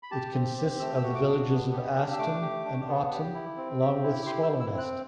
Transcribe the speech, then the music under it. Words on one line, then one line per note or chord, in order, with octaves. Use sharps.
It consists of the villages of Aston and Aughton, along with Swallownest.
B5
G4 A5
C4
G4
A3 E6
E6
F#4
D6
D4 D6
B3
G4
D4
E6
A3 D6
G4
D4
B3
G4
E4
C4
G4
E4
G4 C6
E6
E4
E6
C4
F#6